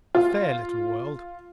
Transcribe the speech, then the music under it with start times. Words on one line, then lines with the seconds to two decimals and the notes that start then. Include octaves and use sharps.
A fair little world.
0.15 F4